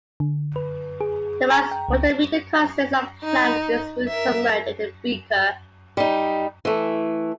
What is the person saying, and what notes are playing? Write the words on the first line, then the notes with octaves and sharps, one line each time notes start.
The mass potometer consists of a plant with its root submerged in a beaker.
D3
B4
G#4
A#5
G5
C#2
D#4
A#4 E5
G3 D#4
E3 A3